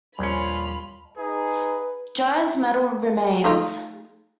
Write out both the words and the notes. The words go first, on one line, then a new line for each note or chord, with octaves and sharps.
Jones Metal remains.
A#1 D#2 G3 C#4 F4 B5 F7
D#4 G#4 B4
A3 D#4 F4